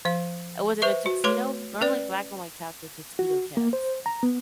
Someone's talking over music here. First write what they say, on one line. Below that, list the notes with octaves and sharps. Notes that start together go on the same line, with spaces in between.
Oh, was it a tuxedo? Normally, black and white cats are tuxedo cats.
F3 F5
B4 C5 E5 C#6
F#4
A3 B4 C#5 C6 D6
C#4 B4 D5
F#4
A#3
C5
A#5
B3